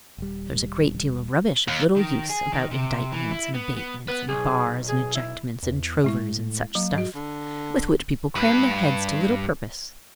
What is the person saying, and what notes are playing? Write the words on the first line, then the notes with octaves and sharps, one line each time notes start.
There is a great deal of rubbish of little use, about indictments, and abatements, and bars, and ejectments, and trovers, and such stuff, with which people cram their heads to little purpose.
D#1 G3
D#2
D#3
G#4
D#3
C3
E3
E4
B3
B3
B3 B4
B1 G#4
G#4
E4
E2
A2 G#3 E4 C#6
F#3 A#3
G#2 F#4 D#5
D3
G2 B4